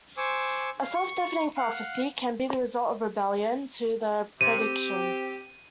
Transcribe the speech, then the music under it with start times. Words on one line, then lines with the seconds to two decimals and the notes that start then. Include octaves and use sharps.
A self-defeating prophecy can be the result of rebellion to the prediction.
0.17 C5 G#5 C#6 D6 E6
0.82 F5
0.95 C#6
1.57 F5 F#5
4.41 C3 D#7
4.58 C4 G4